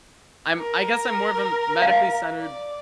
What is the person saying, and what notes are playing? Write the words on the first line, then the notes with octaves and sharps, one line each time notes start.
I'm I guess I'm more of a medically centered
A#4
F5
D5